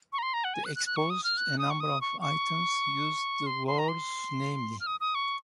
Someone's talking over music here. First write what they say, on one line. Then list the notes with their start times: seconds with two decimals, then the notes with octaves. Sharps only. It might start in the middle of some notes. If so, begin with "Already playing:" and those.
The exposed a number of items used the wars, namely.
0.13 C#6
0.18 A#5
0.23 C6
0.34 A#5
0.44 F#5
0.54 G#5
0.65 F#6
0.75 F#6
0.86 F#6
0.96 C#6
1.10 D#6
1.24 F6
1.38 F#6
1.59 D#6
1.70 C#6
1.80 D#6
2.01 C#6
2.21 C#6
3.46 C6
3.67 C6
3.78 A#5
3.88 C6
4.80 F6
4.87 D#6
5.00 D#6
5.15 C#6